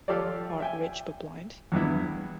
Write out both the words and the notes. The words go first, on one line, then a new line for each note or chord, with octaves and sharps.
Art rich but blind?
F3 F4 G4 A4 C#5 D5
E5 G5 G#5
E2 G2 B3 E4